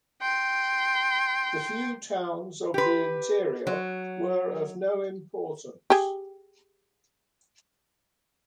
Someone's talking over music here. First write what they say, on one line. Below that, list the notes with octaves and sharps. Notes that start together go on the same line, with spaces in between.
The few towns of the interior were of no importance.
G5 C6
G4 B4
F#3
G4 G#4